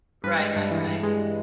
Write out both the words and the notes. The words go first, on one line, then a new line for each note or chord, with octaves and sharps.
Right, right, right.
G2 B4
G#3
G2
E3
G2
G#3